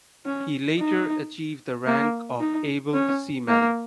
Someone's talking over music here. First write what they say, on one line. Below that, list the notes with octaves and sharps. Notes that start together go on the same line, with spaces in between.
He later achieved the rank of able seaman.
C#4
D#4
A#3
D#4
C#4
A#3